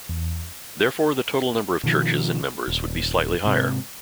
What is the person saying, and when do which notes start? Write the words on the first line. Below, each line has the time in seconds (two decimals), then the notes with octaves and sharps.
Therefore, the total number of churches and members would be slightly higher.
0.09 E2
1.83 B2 D#3 F3
2.68 D#1
3.44 G#2 C3